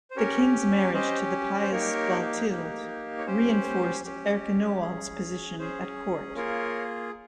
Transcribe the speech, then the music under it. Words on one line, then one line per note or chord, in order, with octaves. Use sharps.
The king's marriage to the pious Balthild reinforced Erchinoald's position at court.
C5
C#4 G4 A#4 C#5
C#4 G4 C5 D#5
C5
A#3 D#4 G4 A#4 C#5
A#3 D#4 G4
C#5
C#4 G4 C5
C#4 G4
C#4 G#4
C#4 G#4 C5
A#3 F4 G#4 A#4 C#5